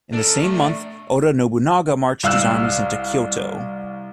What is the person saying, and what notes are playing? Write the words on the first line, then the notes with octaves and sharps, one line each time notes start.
In the same month, Oda Nobunaga marched his armies into Kyoto.
D4 A4 A#4
A3
C2 F5 E6 F#6 E7